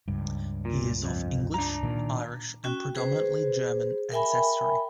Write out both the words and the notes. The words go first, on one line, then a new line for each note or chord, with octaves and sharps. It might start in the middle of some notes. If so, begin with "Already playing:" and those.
He is of English, Irish, and predominantly German ancestry.
C#2 G2
A#2
F2
D4 A#5
A#2 D#3
C#4 F#4 G5
G#4 B4 C5
A#4 E5 G5 G#5 B5